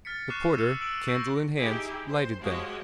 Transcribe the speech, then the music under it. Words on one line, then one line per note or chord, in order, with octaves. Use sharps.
The porter, candle in hand, lighted them.
F6 A6 B6 C#7
C#6 D6 F6 F#6 C7 E7
D6 E6 C7 C#7
E6 D7 E7 F#7
C#6 E6 G6 A#6
D#4 E4 G4 G#4
C5 C6
F3 G#3 F#4 G4 C#5 D#5